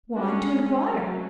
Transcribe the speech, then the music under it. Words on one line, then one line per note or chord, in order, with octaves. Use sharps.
"Why, to inquire."
G#3 C#4 D4 F#4
F#3 A3 C#4